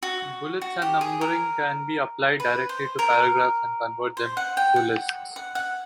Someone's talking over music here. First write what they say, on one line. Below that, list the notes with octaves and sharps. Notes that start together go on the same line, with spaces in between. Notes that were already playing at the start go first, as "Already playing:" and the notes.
Bullets and numbering can be applied directly to paragraphs and convert them to lists.
F#4
F#4
G4
G#4
A#4
B4
C5
A#4
C5
F#5
G5
F#5
F#5
F#5